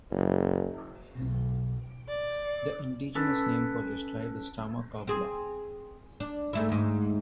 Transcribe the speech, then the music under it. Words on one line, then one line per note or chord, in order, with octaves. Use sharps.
The indigenous name for this tribe is "Tamoucougoula".
F#1
B1 B2
D5
C#4 A4 B4
C4 G#4
D4
G#2 A3 E4
D#2 G#2